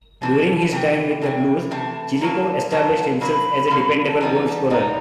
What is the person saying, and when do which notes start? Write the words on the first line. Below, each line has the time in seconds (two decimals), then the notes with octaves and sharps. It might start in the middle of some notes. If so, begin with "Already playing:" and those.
During his time with the "blues", Chilikov established himself as a dependable goal-scorer.
0.22 C3 E3 A3 A5
0.72 C3 E3 A3 G5 A5
1.21 C3 E3 A3 G5 A5
1.71 C3 E3 A3 A5
2.21 D3 F#3 A#3 A5 A#5
2.71 D3 F#3 A#3 A5
3.21 D3 F#3 A#3 B5
3.70 D3 F#3 A#3
4.09 A5
4.20 E3 G3 B3 D#4 A#5
4.46 A5
4.70 E3 G3 B3 D#4 A#5